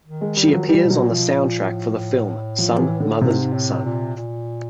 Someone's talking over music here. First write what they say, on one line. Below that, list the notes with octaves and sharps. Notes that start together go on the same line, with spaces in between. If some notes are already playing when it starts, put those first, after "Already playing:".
She appears on the soundtrack for the film "Some Mother's Son".
D#3
G#3
G3
F3
F#3
E3 G3
B2
F#3
A#2
B2 F3
A#2
A2
A2
F3
F3
E3
D3
G#2 C3
A2
A#2
A#2